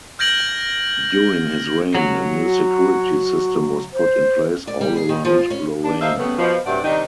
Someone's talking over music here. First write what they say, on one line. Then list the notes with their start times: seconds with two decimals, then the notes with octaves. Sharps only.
During his reign a new security system was put in place all around Lorraine.
0.19 F6 G6 G#6 A#6 D7 F#7
1.95 F#3
2.45 F#4
3.93 C5
4.67 D5
4.81 G3
4.96 G#4
5.09 D#3
5.25 F3
5.38 F4
5.50 C#4
5.83 D4
6.01 D#4 A4 C5 E5 F5
6.17 C#3 G3 A3 B3
6.38 B2 F3
6.65 G2 C3 F#3 A3 D5 F#5
6.83 C3 D#3 G3 D4 D#4